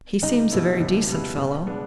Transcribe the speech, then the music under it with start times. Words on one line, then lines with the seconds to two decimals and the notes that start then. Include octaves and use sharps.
"He seems a very decent fellow."
0.22 C#2 D#4
0.52 B2 G3 B3 E4
0.80 C#2
1.09 B2 G3 B3 E4
1.38 B2
1.67 G#3 B3 D4